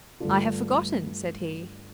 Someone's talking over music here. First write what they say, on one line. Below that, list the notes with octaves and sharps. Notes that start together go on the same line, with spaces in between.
"I have forgotten," said he.
G2 D3 A3 D4 F4